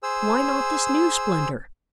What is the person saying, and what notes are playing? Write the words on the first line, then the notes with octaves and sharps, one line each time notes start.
Why not this new splendor?
G#4 C5 E6